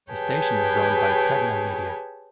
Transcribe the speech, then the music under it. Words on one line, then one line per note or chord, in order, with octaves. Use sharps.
The station is owned by Tegna Media.
G4 G#4 B4 C#5 G5 A5